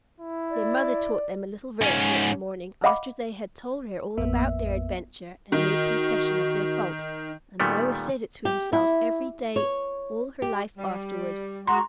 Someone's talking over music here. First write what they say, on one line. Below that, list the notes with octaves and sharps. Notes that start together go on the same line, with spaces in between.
Their mother taught them a little verse next morning, after they had told her all about their adventure and made confession of their fault; and Lois said it to herself every day all her life afterward.
E4
D5
G#2 C#4
D#5 F5 F#5 B5 D6
A1 F2 A#3 B3 E5
D#3 F#4
A#2 D#3 G3 A3 B3
G4
E4
C#5
G4
G3
G#3 F#4 A#5 C6